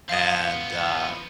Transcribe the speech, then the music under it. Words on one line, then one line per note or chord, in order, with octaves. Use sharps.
and, uh,
F3 B3 F5 D#6